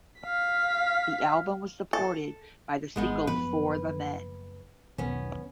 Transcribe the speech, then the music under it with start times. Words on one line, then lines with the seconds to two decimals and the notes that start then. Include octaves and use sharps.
The album was supported by the single "For the Men".
0.21 F5 B6
1.93 A4
2.96 G#1 G#3 B3 D#4
3.27 F#1 F3 B3 B4
4.98 E1 B1 D#3 B3 C#4